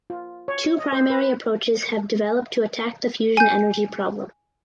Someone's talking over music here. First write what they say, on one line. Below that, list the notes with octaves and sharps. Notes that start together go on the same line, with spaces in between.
Two primary approaches have developed to attack the fusion energy problem.
F4
C#5
D#5
C5
B4
G#5 G6